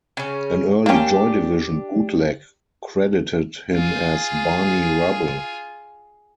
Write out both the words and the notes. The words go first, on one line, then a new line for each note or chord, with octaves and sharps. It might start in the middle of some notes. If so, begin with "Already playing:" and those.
An early Joy Division bootleg credited him as "Barney Rubble".
C#3 C#4
A#3 C#4 D4 G4
F4 G#4